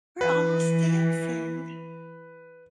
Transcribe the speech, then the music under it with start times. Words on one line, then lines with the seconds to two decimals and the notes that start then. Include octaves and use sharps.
"We're almost dancing."
0.21 E3 B4